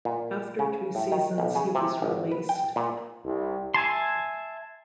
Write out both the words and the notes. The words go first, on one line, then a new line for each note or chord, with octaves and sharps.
After two seasons he was released.
A#2
C#3
A2
D#3
B1
C#3
C3
G#1
B4
G5
A#2
C2
E5 G#5 A5 C6